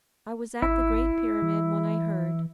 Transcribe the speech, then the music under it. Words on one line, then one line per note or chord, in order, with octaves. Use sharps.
I was at the Great Pyramid when I heard.
G#1 E4
E3